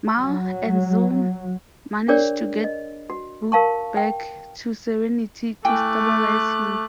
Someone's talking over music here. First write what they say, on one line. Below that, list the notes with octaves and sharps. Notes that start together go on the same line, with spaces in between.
Mal and Zoe manage to get Book back to "Serenity" to stabilize him.
F#3
D4 G#4 A#4 C#5 D5
D#5
F#4
A#4 F5 A5 C#6
G5
A3 E4 G5 G#5 D6 F#6